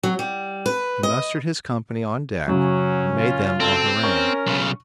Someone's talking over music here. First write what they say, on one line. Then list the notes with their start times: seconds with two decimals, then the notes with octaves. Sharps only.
He mustered his company on deck, and made them a harangue.
0.03 F#3
0.19 G3
0.66 B4
1.03 D#5
2.48 F#2 C#3 F#3 C#4
3.18 F4
3.60 C4 A4
4.04 C#4 A#4 C#6
4.47 B1 C#3